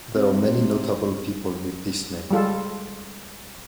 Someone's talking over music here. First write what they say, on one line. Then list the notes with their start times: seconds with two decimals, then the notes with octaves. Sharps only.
There are many notable people with this name.
0.15 C3
2.31 G3 G#3 F4 A4